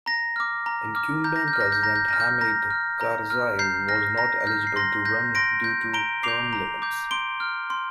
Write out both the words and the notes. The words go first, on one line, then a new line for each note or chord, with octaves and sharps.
Incumbent president Hamid Karzai was not eligible to run due to term limits.
A#5 A#6
D6 F6
A#5
D6 F6
A#5 G6
A#6
G6
F6
A#6
G6
A#5 A#6
G6
F6 A#6
G6
A#5 A#6
F6
A#5
F6
A#5 G6 C7
F6 A#6
A#5 A#6
F6 G6
C7
C6 A#6
G6 A#6
C6 A#6 D7
G6
A#5 D7 G7
D6 G6 C7 F7
A#5
D6 G6
C6 D7 G7
F6
C6